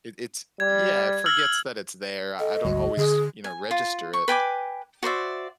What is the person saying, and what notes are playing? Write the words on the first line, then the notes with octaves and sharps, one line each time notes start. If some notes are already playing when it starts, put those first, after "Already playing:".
it it's yeah, it forgets that it's there, I don't always, you know, register it.
G3 G#6
E6 F6 F#7
A4 D#5
G#1 D2 G3 F#4
D3 G#4
G#5
F4
C#6
B4 G5 G#5 D6
F#4 C5 D5 E5